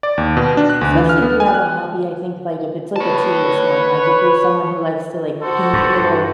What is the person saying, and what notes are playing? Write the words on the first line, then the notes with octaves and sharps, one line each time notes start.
especially if you have a hobby, I think, like, if it's, like, a tedious one, like, if you're someone who likes to, like, paint little
D5
D#2
B2
D4
F#6
D2
E3
F6
B3
G#5
F#6
B4 C#5 A5
F#4 A4 C5
G2